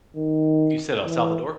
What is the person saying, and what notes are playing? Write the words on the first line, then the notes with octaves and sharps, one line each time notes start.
You said El Salvador?
D#3
E3